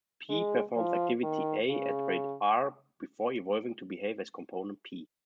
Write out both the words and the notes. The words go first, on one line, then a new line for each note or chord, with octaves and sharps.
"P" performs activity "a" at rate "r" before evolving to behave as component "P".
G#3
F3
D#3
C#3